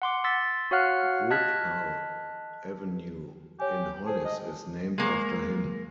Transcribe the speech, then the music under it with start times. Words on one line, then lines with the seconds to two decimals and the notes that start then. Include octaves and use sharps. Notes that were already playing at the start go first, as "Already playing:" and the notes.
Woodhull Avenue in Hollis is named after him.
0.02 F#5 C6 D6
0.24 C6 E6 A6 B6
0.71 F#4 C#5 F5 F#5 F6 F#6
1.30 D#5 A5 F6 F#6 G#6 B6
3.60 G4 C#5 G#5
4.06 G#4 C5 A5
4.25 D#5
4.98 G#3 A#3